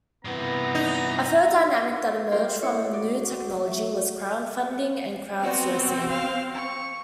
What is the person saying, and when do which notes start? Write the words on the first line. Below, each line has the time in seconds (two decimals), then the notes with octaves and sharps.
A third dynamic that emerged from new technology was crowd-funding and crowd-sourcing.
0.25 G2 C3 E3 B3 A#5
0.75 D#4
2.31 G3 F4 A#4 C5
2.62 A3 E4 C5 C#5
2.93 F#4 D5
3.67 E5
5.40 B3 C4 F#4
6.09 F5
6.54 C#6